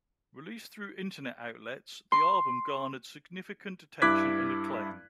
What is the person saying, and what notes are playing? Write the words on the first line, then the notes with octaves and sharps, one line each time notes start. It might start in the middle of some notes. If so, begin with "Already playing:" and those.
Released through internet outlets, the album garnered significant attention and acclaim.
C6
G2 E4 D6 F#6 G#6 B6